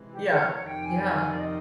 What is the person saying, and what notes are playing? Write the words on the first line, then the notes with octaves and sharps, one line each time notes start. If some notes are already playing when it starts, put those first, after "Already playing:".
Yeah, yeah.
Already playing: C3 E3 G#3
G4
C#5
F2 C3 D#3 G5
G#5
G#5
D5
D#5